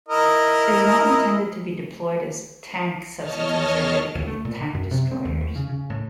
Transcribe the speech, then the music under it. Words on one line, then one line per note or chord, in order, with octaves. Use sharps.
They were not intended to be deployed as tank substitutes or dedicated tank destroyers.
E4 A#4 D#5
E2 C#5 D#5 A5 F6
D2
A3
A#2
D3
F#2
C3
C4
D#2
E2
C#3
C#3
A2